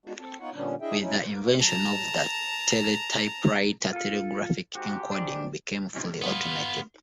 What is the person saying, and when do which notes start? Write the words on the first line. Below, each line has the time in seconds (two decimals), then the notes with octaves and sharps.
With the invention of the teletypewriter, telegraphic encoding became fully automated.
0.06 G#3 B3 D4 F#4
0.18 C4 A4
0.40 B3 D#4 F4 C#5 F#5
0.53 A#2 D3 G3 B3 C#4 D4
0.81 D4 E4 G#4 D#5 E5 G5
1.00 F#3 A3 C#4 D#4 E4
1.60 A5 A#5
3.93 F4 A4
4.75 G#2 F#4 G4
5.12 D4
6.22 B3 F4